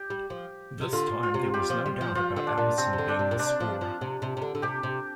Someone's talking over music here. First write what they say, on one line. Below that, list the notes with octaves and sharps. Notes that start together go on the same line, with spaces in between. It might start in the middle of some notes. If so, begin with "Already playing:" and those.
This time there was no doubt about Albertsen being the scorer.
Already playing: G4
G3
F3
C3
D3 F4
F4
C3
G3 G4
F3
G3
F3
F3 F4
D3
D4
A#2
C3 C4
C3
D3
D4
C3
A#2
C3 D4
F3
F3
C3
C3
C3
D3
D3
C3 G4
C3